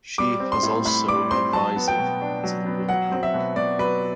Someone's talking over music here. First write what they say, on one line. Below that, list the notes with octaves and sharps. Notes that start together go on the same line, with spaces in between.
She has also advisor to the World Bank.
G3 D6
C4
C6
A2
A2 B5
G3 D6
C4 C6
F#3 A5
B3
G5
B2
D4
F#3
B3
F#3 F#5
C4
E5
B2
B2 D5
F#3 B4